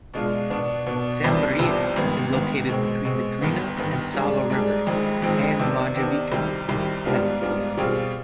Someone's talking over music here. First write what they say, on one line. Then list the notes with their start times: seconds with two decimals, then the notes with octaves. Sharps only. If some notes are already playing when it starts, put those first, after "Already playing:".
Semberija is located between the Drina and Sava rivers and Majevica mountain.
0.14 B2 G#3 D4 F4
0.50 B2 B3 D4
0.86 B2 B3 D4
1.23 C2 C3 F3 B3 D4
1.59 C2 C3 F3 B3 D4
1.96 G#1 G2 D#3 B3
2.32 G#1 G2 D#3 B3
2.69 B2 G#3 C4
3.05 B2 G#3 C4
3.41 G1 G2 D#3 B3
3.77 G1 G2 D#3 B3
4.14 G#2 G3 D4 G#4
4.50 G#2 G3 D4 G#4
4.87 F1 F2 D#3 G#3 C4
5.22 F1 F2 D#3 G#3 C4
5.59 C3 D#3 B3 D4
5.95 C3 D#3 B3 D4
6.32 C2 C3 D#3 G3
6.68 C2 C3 D#3 G3
7.05 G#2 G3 B3 D4 F4
7.41 G#2 G3 B3 D4 F4
7.77 B2 G3 C4 F4 G#4